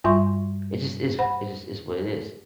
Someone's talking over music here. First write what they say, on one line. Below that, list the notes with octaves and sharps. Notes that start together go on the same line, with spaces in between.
it's just it's it just what it is.
G2 G3 F4 E5 C6 C#6
C5 F#5 B5